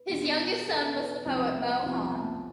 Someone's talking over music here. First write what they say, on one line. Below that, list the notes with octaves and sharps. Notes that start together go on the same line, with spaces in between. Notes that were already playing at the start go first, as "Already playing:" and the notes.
His youngest son was the poet Moe Hein.
Already playing: B4
E2 B2 B3
E2 B2 B3 A4
B4
C2 C3 F3 B3 C5
E5
C2 C3 F3 B3 F5
G#5
A5